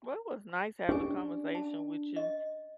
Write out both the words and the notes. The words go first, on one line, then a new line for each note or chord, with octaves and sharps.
Well, it was nice having a conversation with you.
C#4 D4 G4 G#5
A5
D#5